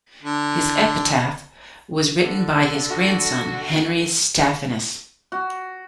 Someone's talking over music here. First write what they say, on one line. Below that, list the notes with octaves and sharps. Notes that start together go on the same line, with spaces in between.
His epitaph was written by his grandson Henry Stephanus.
D3
D3
F#4
F#4